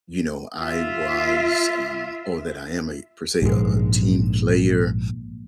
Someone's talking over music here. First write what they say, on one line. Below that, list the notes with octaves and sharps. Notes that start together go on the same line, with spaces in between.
you know, I was, um or that I am a, per se, a a team player,
F4 E5
A#1 G#2 B2 G#3